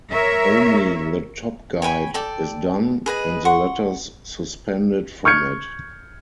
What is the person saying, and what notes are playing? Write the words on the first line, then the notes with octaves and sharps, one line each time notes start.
Only the top guide is done and the letters suspended from it.
A#4 C#5 E5
C#5 G5 G#5 B5
A4 D5 G5
G#4 B4 D#5
F#5 C6 C#6
C#6 F6 G6 G#6 C#7